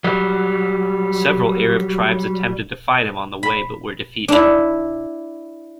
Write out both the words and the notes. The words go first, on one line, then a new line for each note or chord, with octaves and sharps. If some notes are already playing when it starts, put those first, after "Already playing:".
Several Arab tribes attempted to fight him on the way, but were defeated.
F#3 G3
B5
D4 E4